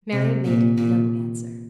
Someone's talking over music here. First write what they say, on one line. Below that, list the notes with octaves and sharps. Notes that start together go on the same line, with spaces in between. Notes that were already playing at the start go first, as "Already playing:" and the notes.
Mary made him no answer.
C3
A#2
A#2